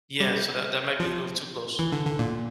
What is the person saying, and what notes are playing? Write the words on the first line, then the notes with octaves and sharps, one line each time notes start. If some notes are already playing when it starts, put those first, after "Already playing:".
Yeah. So, that that might be a little too close.
G3
F3
E3
D3
D3
A#2